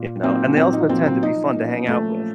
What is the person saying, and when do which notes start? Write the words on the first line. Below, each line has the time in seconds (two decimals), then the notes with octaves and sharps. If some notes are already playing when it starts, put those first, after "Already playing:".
You know? And they also tend to be fun to hang out with.
Already playing: A#2
0.23 F#3 A#3 C4 D#4
0.56 A#2 C4
0.73 D#4
0.89 F#3 A#3 C4 D#4
1.06 C4
1.22 F3 D#4
1.56 A#3 C#4
1.88 F3 A3